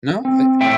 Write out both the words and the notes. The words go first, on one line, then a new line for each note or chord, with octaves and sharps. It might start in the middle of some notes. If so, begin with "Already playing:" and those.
No, uh
C4
A2 E5 G5